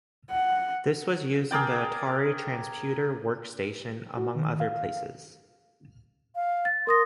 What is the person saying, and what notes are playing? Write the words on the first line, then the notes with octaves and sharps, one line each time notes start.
This was used in the Atari Transputer Workstation, among other places.
F#5
G#4 A#4 D5 G5
F#4
D#3
F5
F5
A6
A#4 C6 D#6 A#6